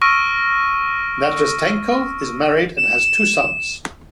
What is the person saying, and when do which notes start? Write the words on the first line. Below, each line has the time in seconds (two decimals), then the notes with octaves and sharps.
Nazdratenko is married and has two sons.
0.02 C#6 E6 F6 A#6 D7 D#7
2.77 E7